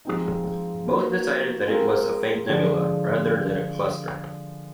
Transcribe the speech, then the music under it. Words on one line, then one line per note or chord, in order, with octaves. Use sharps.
Both decided that it was a faint nebula rather than a cluster.
F3 G#3 C4 D#4
A#3 D#4 F#4 B4
G#3 C4 F4 A#4
D3 F3 G#3